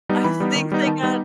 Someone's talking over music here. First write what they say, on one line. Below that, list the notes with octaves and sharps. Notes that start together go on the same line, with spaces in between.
I think they got
G3 B3 D#4
E3 B5
G3 B3 D#4
D#3
G3 B3 D#4
D#3 A5
G3 B3 D#4